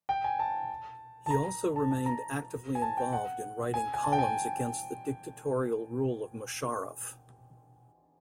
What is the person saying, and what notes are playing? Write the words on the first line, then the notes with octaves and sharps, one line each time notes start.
He also remained actively involved in writing columns against the dictatorial rule of Musharraf.
G5
G#5
A5
A5
A#5
A5
A5
A#5
G#5
A5
G5
F#5
G#5
G#5
A5
G5
G#5